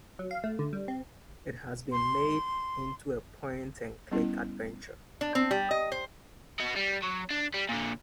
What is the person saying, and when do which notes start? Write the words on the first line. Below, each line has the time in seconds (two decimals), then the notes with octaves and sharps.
It has been made into a point-and-click adventure.
0.19 F#3
0.31 F5
0.44 A3
0.59 D3
0.73 G3
0.88 C4
1.92 C6
4.11 G3 B3 C#4 E4
5.21 D4
5.35 C4
5.51 G3
5.71 D#5
5.92 C5
6.60 F#4 D#5
6.76 G3
7.03 F#3
7.30 D4
7.54 G3
7.69 A#2 D3